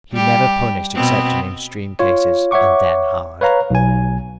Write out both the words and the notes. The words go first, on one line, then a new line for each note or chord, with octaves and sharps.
He never punished except in extreme cases, and then hard.
G3 G4
B2 B3 C4
F4 C#5
C#5 E5 F#5 C#6 D6
B4 C#5 F5 A#5
B1 G#5